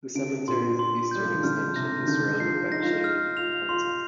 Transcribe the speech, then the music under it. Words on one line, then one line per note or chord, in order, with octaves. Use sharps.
The cemetery's eastern extension is surrounded by chain-link fencing.
D3 D7
A#2 C6
C6
G3 G6
F3
D#3
D3 F6
C3 A#6
D#3
D3 G6
F3 C7
D#4 A#6
F4
D#4
F6
F4 F7
F4 C6